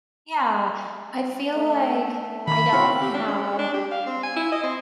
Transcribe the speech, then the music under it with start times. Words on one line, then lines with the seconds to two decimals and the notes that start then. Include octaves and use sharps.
Yeah, I feel like I definitely have
1.55 A3
2.47 D#3 B5
2.72 C#2 C4 E4 F#4 C#5 F5
3.01 G4
3.14 D4
3.28 C#4
3.43 C#4
3.59 D4
3.74 G4
3.91 F5
4.06 C4
4.23 G#5
4.36 E4
4.52 D#5
4.63 C4